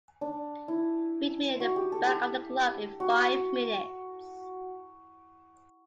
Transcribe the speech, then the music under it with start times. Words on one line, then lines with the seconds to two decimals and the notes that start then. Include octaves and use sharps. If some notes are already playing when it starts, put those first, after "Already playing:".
Meet me in the back of the club in five minutes.
0.21 D4
0.68 E4
1.60 F#4
1.76 G4
1.92 A4
2.07 G4
3.00 F#4